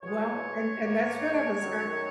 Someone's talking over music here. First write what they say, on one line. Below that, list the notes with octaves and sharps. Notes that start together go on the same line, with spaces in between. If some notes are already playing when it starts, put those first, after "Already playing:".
Well, and and that's what I was going
E2 B2 G#3 C#5
G#2 D#3 A#3
F#2 D#3 F#3